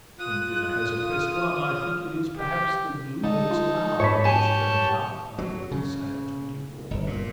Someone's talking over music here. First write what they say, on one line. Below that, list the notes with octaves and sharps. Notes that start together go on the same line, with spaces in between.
When dinner has opprest one, I think it is perhaps the gloomiest hour Which turns up out of the sad twenty-four.
F4 D#6 F#6
F6
G4
D3 D#4 A4
F4
G#2 C#5 A5 B5
G4 C#5 G#5 A5
F#3
C#3
G1
A#2